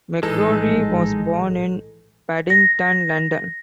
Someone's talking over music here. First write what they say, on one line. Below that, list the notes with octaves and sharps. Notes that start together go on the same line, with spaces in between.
McCrory was born in Paddington, London.
A#1 A2 E3 G#3 D#4 A4
A#6